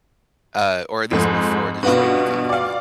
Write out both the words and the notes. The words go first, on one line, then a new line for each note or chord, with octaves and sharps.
uh, or at least before Detroit: Become Human,
F2 G#2 A3
G2 B2 F4 F#4 B4
D5 F5